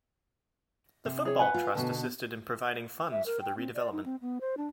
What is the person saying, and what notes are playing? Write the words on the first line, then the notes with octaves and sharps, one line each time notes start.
The Football Trust assisted in providing funds for the redevelopment.
C3
G#4 C#5
B4 F#5 G#5
F4
B2 D3
E5
A#4
G5
C4
D5
D#4
C4
B3
C5
D4